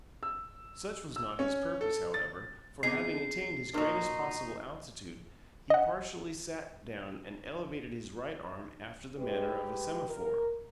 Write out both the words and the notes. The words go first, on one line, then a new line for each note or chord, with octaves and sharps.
Such was not his purpose, however, for, having attained his greatest possible altitude, he partially sat down and elevated his right arm after the manner of a semaphore.
E6
E6
C#4
A4
A6
B3 C4 D#4 G#4 D6 C7
A#2 F#3 D#4 A#4
D#5 F#5
G#3 G4 B4
A#4